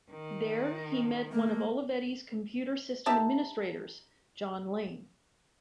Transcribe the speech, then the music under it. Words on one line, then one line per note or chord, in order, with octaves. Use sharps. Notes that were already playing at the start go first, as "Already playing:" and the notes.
There, he met one of Olivetti's computer system administrators, Jon Lane.
D#3
A3 A#3
D#4 G4 E5 A5